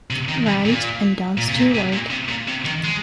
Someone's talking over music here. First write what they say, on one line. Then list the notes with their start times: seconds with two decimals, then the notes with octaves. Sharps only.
Grant and Don Stewart.
0.11 C3
0.28 D#3
0.46 C3
0.65 A#2
1.37 A#2
1.48 C3
1.56 A#2
1.74 C3
1.92 A#2
2.10 C3
2.28 A#2
2.48 C3
2.65 D#3
2.84 G#3